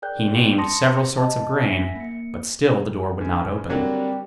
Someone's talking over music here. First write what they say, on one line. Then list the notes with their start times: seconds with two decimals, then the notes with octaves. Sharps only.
He named several sorts of grain, but still the door would not open.
0.02 G#4 A#4 D5 G5 F#6 G6
0.58 A5 C6 D6 D#6 A#6 C#7
1.17 D#5 A5
1.63 E5 F#5 G#5 A#6 B6
1.96 A#3 C#7
3.21 F#2 D3
3.69 D3 F#3 G3 A#3 C4